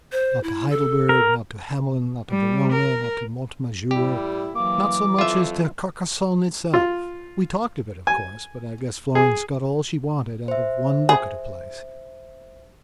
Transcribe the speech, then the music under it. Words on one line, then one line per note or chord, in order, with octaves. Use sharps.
Not to Heidelberg, not to Hamelin, not to Verona, not to Mont Majour--not so much as to Carcassonne itself. We talked of it, of course, but I guess Florence got all she wanted out of one look at a place.
C5
E4
A4
A#4
G3
A#4
A2 G3 E4 G4
E3 F#3 A#3 D6
F2 F4 E5
F4
G#5
G#4
C5 E5
G#4